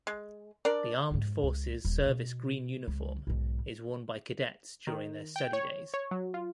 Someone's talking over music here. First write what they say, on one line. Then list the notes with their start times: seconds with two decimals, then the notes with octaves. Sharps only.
The Armed Forces service green uniform is worn by cadets during their study days.
0.07 G#3
0.65 D4 A#4 D5
1.11 F2 G#2
1.43 C#2
1.85 D#1
2.02 B2 C#4
2.88 C#2
3.27 B1 G#2
4.87 D#3
5.36 G5
5.53 C#5
5.94 C#5
6.11 F#3
6.34 F4